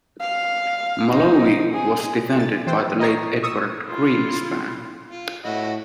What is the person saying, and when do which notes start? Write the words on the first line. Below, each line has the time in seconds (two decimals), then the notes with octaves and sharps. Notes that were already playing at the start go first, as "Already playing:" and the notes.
Molony was defended by the late Edward Greenspan.
0.20 F5
1.12 D#4
1.74 G#4
2.36 D3 A6
2.67 E3 C5 G5
3.00 D#5 A#5 C#6 C7
3.43 C#6 D#6 E6
3.87 E4 F4
5.11 F4
5.45 A2 E4 F#4 D#5